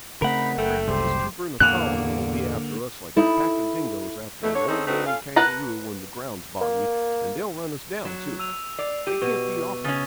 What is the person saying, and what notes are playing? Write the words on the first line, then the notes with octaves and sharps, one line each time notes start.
Every police trooper in the colony'll be after us like a pack of dingoes after an old man kangaroo when the ground's boggy, and they'll run us down, too; they can't be off it.
C#3 A3 C4 D#4 A#4 F#5 B5
F#1 A3 B4 G5
C2 G4 C5
E2 A2 D3 A#3 F#6
D#4 E4 A4
B2 D#3 A3
D3 C#5
C4 C#4 D#4 G#4 A4
A3 C4 D#4 F#4 B4
C#4 F4 A4 F5
A#4 B4 F#5 A5 A#5
A#3
F#3 E7
E6 D#7 F7
D5 C7 F7
G4 D#7
B2 C#6 D#7
C#3 C#4 D#6 A6 G7